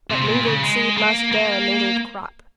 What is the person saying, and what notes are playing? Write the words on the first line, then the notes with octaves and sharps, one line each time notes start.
But mingled seed must bear a mingled crop.
C3
C3
A#2
C#3
G#3
A#3
A#3